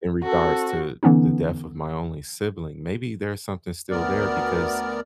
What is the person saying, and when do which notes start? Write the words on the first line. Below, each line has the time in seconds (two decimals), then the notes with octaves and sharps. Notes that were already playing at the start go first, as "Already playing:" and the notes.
in regards to the death of my only sibling. Maybe there's something still there," because,
0.23 C4 F#4 A4
1.03 D3 E3 B3 C#4 D#4
3.90 D2 B3 A#4 D5